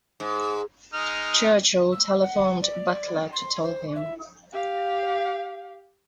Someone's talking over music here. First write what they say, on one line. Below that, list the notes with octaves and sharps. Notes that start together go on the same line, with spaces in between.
Churchill telephoned Butler to tell him.
G#2
G#3 D#4 F6
E6
F#5
D5
C6
C5
E5
G4 F5